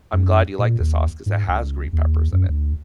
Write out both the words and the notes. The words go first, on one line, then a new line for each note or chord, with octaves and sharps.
I'm glad you like the sauce ‘cause it has green peppers in it."
F#2
A#2
D#2
G#2
C#2
D#2
F#2
D2